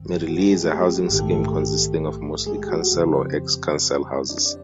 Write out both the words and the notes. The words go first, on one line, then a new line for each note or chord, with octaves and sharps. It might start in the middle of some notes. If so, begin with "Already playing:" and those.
Merrylee is a housing scheme consisting of mostly council or ex-council houses.
Already playing: A1 G2 D#3 C4
G4
F#4
G4
G#3 G#4
A3 A4
G4
G4
G4
A#1 G#2 D#3 G4
A3 A4
A3 A4
G4
G4
G#3 G#4
G4
F#4
F#4
F2 C#3 F3 G4
C4 C5
D4 D5
D5